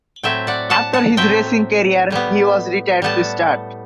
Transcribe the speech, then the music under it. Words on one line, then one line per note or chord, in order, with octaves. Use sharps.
After his racing career, he was retired to stud.
A2 F#3 C4 E5 G5
D5 F#5
F#5 A5
F#5 A5
A2 F#3 C4 E5 G5
A2 G3 B3
A2 G3 B3 F#5 A5